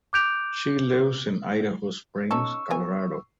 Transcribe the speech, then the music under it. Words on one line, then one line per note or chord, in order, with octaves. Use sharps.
She lives in Idaho Springs, Colorado.
D6 F#6 G6 D7 F7
C#4 D#4 A4 C#6 E6
B3 A#4 G#5